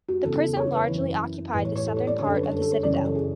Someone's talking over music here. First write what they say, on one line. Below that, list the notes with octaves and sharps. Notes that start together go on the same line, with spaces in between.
The prison largely occupied the southern part of the citadel.
F#4
E2 C#3 E3 A4
C#5
B4
F#2 E3
A2 E3 B4
C#5
C#5
A4
C#5
D5
F#2 D3 C#5
A4
B4
C#5
A4
A4
C#5
F#2 C#3 E3 D5
C#5
A4
G#4